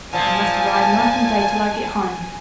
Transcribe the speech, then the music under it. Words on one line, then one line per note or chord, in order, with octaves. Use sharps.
I must ride night and day till I get home.
A#2 F3 G#5 A5